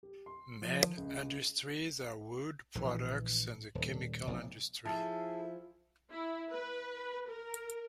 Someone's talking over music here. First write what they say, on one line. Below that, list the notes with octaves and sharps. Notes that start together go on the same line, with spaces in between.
Main industries are wood products and the chemical industry.
G4
C6
F3
C#2
A#1 D#3 E3
D#1
F1 B1
F3 E4 G#4 A4 A5 A6
E4
B4
A#4